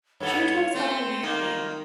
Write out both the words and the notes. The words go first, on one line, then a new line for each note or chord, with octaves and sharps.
Chew toys help relieve pain.
G2 B3 A4 C#5
A3 C4 C6
D#3 A#3